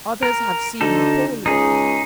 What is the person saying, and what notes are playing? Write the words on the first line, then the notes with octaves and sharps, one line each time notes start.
Others have seen Napoleon.
A#4
D2 D3 D#4 A4
C#2 D#4 G#4